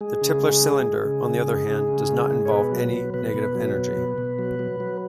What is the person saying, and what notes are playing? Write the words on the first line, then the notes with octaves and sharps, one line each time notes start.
The Tipler cylinder, on the other hand, does not involve any negative energy.
G#3 G#4
C#3
G#3
G#3
G#3
C#3
C#3
G#3
C#3
C#3
G#3
G#3
C#5
B2 B4
F#3
B2
B2 B4
B2
F#3
B2
B2
B2
F#3
F#3
F#3